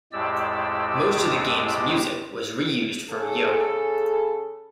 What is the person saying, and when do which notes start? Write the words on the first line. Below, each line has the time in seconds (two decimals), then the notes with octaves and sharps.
Most of the game's music was re-used for Yo!
0.13 F2 A2 G#3 G4 D5 E6
3.09 C#3 G#4 A4